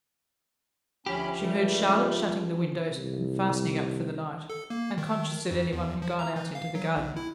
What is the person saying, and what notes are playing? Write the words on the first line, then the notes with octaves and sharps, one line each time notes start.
She heard Charlotte shutting the windows, and fastening up for the night, unconscious that any one had gone out into the garden.
D2 F3 C#4 G4 B5
C#2 G3 A3
C2
A4
A#3
D#3
F2
E2
F3
A#5
E3
F5
F#3
B1
E4